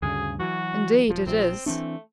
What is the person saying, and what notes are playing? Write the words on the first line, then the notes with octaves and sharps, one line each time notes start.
"Indeed it is."
D2 G2 C#3 G#4
E3 F#3 F#4
D#1 F3
A#1 F3 C4
E3 A3 C4 D4